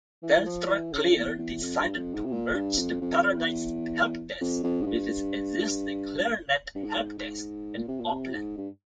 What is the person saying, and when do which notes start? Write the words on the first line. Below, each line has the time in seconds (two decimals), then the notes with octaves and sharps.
TelstraClear decided to merge the Paradise helpdesk with its existing Clearnet helpdesk in Auckland.
0.22 E3
0.37 E3
0.46 F3
0.69 E3
0.92 C#3
1.15 E2
1.38 E2
1.62 F2
1.79 G2
1.97 F2
2.14 G#2
2.25 C3
2.32 A#2
2.54 G2
2.78 F2
3.01 F2
3.36 E2
4.40 F2
4.63 F2
4.82 G#2
4.86 G2
6.75 G2
6.84 G#2
7.18 G#2
7.77 A#2
7.88 C3
7.99 A#2
8.11 C3
8.34 G#2
8.57 G2